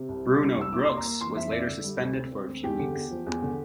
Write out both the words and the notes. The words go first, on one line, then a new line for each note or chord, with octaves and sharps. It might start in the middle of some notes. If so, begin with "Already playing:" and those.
Bruno Brookes was later suspended for a few weeks.
Already playing: C3
C2
G3
G3
C2 E6
E4 D6
A#3 C6
A#5
A#3
E3 C6
F2 E5
E4 D5
D3
G3
D2
C4
C4
D2
E2 G4
D3
E2
F3
E2
D3